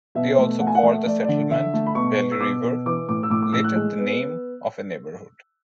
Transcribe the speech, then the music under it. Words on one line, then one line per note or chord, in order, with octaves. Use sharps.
They also called the settlement "Belle River", later the name of a neighborhood.
B2 E5
A3
A3 F#5
G#5
F#5
A3 E5
A3 D5
D5
D3
D3 E5
A3
B5
B2 C#6
B3
E6
B2 D6
B2
E3 D6
A2 D6
E6
A2 D6
D6
A2 E6
F#6
G#3
B3